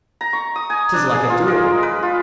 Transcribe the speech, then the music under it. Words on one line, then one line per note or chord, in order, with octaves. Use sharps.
'Tis like a duel.
A#5
C#6
D#6
G#5
D4
G#4
F4
A#4
G#3
B4
F4